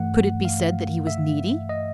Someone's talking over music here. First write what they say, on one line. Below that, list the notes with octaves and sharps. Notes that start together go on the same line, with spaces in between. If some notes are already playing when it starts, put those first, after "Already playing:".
Could it be said that he was needy?
Already playing: G2 E3 A3 F#5
F5
E5
D#5